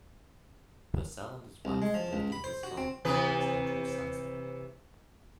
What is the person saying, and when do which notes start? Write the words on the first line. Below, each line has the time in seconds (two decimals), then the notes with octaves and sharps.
Purcell and his wife lived in this home and raised their two sons there.
1.65 C2
1.82 G#3
1.94 F3
2.13 C#2
2.32 B5
2.44 C5
2.63 F#4
2.77 C4
3.05 C3 E3 B4